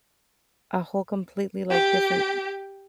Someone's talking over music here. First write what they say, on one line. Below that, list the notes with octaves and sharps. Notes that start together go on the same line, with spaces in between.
a whole completely, like, different
G4